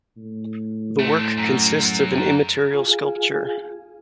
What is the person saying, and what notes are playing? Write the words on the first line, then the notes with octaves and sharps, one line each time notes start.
The work consists of an immaterial sculpture.
A2
A3 C4
F#2
F4 G#4